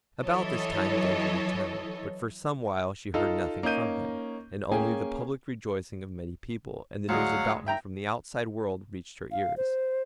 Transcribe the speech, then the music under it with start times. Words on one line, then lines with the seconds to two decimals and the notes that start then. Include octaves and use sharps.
About this time Genji returned, but for some while she heard nothing from him, and only the public rejoicing of many people, and the news about him from the outside world reached her ears.
0.24 E3 F#3 A4 C#5 D#5
3.14 D#4 F4 A4
3.63 A#3 C#4 D#4 G6 D#7
4.71 A#3 C#4 G#4 G5 G#5
7.09 D2 F#3 G#3 F5 F#5
7.66 E5 G5 A#5
9.32 F5
9.57 C5